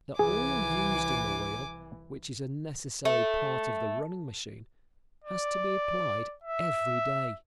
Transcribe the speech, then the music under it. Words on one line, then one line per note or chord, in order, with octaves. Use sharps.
The oil used in the wheel, which is a necessary part of the running machine, has to be applied every day.
C2 E3 G#4 G#5 D6
A3
D5
E5